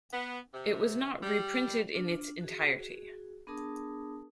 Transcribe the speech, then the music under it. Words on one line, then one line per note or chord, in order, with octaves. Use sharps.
It was not reprinted in its entirety.
B3
C3
G3
D4 F4
F#4 G#4
B3 D4 G#4 A#4 A5 D#6